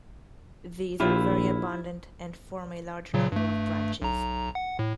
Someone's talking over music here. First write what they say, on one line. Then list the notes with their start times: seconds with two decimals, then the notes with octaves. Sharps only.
These are very abundant and form a large number of branches.
1.00 A#1 E4 F4 G4
3.14 A#2 C#3 F#3
3.32 G2 A3
4.02 B1 A#5
4.55 F#5
4.79 A2